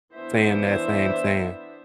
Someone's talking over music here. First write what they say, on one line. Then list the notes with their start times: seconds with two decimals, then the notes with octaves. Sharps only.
saying that same saying,
0.13 E3 B3 D4 C5 E5